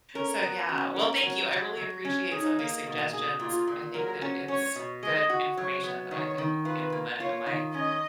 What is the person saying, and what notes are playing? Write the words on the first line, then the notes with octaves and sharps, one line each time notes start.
So, yeah. Well, thank you. I really appreciate some of these suggestions. I think that it's good information that I can implement in my
C#4 A#4
B3
C#4 F#4
A#4
F#3
F#3
F#3
C#4
D#4 G#4
A#3
B2
G#4
A#2 F4
A#2
F#3 A#4
C#4
C#4 C#5
B2
G#3 D#5
F#4
F#3 C#5
B3
D#3 C#5
D#3
F4 B4
A#3
F4 C#5
D#3
C#4 D#5